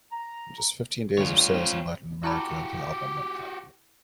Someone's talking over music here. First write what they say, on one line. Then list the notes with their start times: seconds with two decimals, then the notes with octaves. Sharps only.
In just fifteen days of sales in Latin America, the album went platinum.
0.12 A#5
1.18 D2 G3 F4 C#5
1.53 C4
2.24 E4 F#4 G4 A5 B5